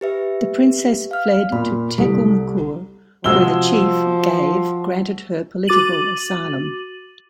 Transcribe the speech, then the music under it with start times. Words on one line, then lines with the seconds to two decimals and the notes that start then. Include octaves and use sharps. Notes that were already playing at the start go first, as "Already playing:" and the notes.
The princess fled to Tekkumkur where the chief gave granted her political asylum.
0.01 G4 B4 E5
1.11 F5 F6
1.52 A#2 B5
1.98 C2 A4
3.24 C3 F3 G#3 F#4 E6 G7
5.67 F#4 D6 A6 D#7 F#7